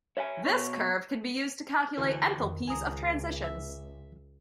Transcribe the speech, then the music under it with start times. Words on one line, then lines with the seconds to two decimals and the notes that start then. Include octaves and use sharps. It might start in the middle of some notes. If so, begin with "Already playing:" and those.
This curve can be used to calculate enthalpies of transitions.
0.17 C#5 E5 F#5 G#5
0.45 B2 C#5
1.97 D2 E3
2.36 F2 D#3
2.67 C#2 G#5 A#5 D#6
3.44 E5